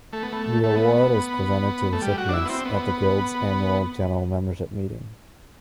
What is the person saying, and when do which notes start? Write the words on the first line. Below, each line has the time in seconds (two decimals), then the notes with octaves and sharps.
The award is presented to recipients at the Guild's annual general membership meeting.
0.13 A3
0.23 B3
0.33 A3
0.63 A3
0.75 B3
1.92 A3
2.02 G3
2.18 F#4
2.29 D4
2.34 E4
2.45 B3
2.49 C4
2.65 B3